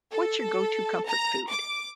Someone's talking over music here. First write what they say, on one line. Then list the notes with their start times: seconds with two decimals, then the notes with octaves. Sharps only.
what's your go to comfort food?
0.11 A4
1.06 A#5
1.49 D6